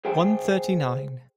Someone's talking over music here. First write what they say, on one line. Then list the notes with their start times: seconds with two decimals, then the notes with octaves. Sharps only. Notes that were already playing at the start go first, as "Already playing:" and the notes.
One thirty-nine.
0.05 G#4 C5 G5 G#5